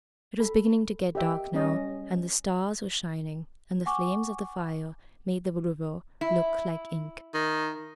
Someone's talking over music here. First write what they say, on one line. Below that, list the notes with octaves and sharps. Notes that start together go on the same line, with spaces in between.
It was beginning to get dark now, and the stars were shining, and the flames of the fire made the river look like ink.
A4 B5
G4 A#4 D#5 E5 G5
G3 C#4 D#5
F#5 G#5 C#6 D6
E4
D#3